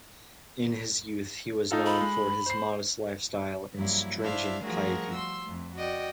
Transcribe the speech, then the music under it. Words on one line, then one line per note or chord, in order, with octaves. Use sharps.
In his youth he was known for his modest lifestyle and stringent piety.
D#4 F4 A4
B5
G#3
C5 C7
G2 F3 F#3 A#3 E4
D4 E4 C5 E5 F5
F3 G3 A3 F#4 G#4 A#4
C6 E6
F2 A3
F#4 D5 D#5 G5